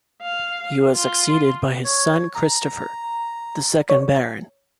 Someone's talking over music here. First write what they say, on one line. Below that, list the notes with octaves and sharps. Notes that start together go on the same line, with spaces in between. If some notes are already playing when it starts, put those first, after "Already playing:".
He was succeeded by his son Christopher, the second Baron.
F5
F4
C#5
A#5
C#5